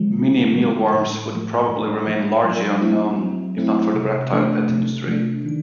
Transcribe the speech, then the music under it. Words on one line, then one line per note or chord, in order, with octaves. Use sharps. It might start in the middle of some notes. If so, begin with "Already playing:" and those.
Mini mealworms would probably remain largely unknown, if not for the reptile pet industry.
Already playing: D3 F3 G#3
D3
F3 G#3
A2
F3 A3
A2
F3 A3
F#3
A3 C4 E4
F#3
A3 C4 E4
C3
F3 A3 D4
C3
F3 A3 D4
D#3